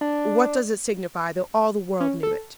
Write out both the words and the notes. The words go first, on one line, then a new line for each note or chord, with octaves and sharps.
"What does it signify though all the world knew it?"
D4
C#4
A4